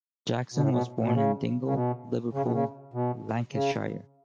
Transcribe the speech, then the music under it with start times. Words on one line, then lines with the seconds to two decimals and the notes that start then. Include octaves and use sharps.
Jackson was born in Dingle, Liverpool, Lancashire.
0.54 B2
0.61 A2
0.69 B2
1.03 B2
1.14 C#3
1.65 C#3
1.74 B2
2.33 C#3
2.43 B2
2.52 C#3
2.94 B2
3.53 C#3